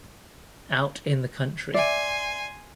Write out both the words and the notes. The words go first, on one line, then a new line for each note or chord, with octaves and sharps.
Out in the country.
D5 E5 G#5 C6